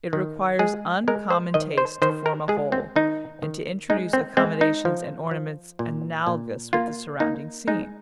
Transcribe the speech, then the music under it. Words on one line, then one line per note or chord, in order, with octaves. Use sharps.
It requires uncommon taste to form a whole, and to introduce accommodations and ornaments analogous with the surrounding-scene.
D#3
G#3 G#4
G#3 A#4
C5
D#3 D#5
C5
D#3 C5
A#4
G#3 G#4
C4
D#3 D#4
D#3
G#3 D#4
C4
G#3 C4
D#4
F3
F3
A#2
A#2
A#3 F4
A#3 D#4
G#3 D#4